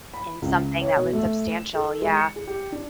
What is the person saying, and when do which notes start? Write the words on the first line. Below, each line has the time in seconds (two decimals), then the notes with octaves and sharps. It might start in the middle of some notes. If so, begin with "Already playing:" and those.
In something that was substantial, yeah
0.14 B5
0.42 C#2
0.81 C#5
0.96 B2
1.13 A3
1.52 E7
1.75 A4
2.02 G#3
2.17 C#7
2.36 G#4
2.47 G4
2.72 D4